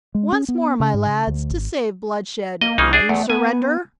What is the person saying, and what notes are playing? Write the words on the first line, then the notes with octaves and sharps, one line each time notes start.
"Once more, my lads, to save bloodshed, will you surrender?"
G#3
C#4
B3
C#3
G#2
C#3
D2
G#1
A#3 D#5
C2 C#3 A#3 D#4
D4 G#4
E2 A3
B3 G#5